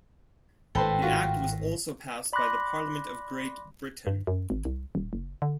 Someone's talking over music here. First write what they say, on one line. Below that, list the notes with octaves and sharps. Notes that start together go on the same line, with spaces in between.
The act was also passed by the Parliament of Great Britain.
G#1 A2 A4 B4 C5 G5
F4 F#4
D5 B5 C6 D6 F#6 A#6
G2
F#2
G#1
C2
D#1
F#1
D3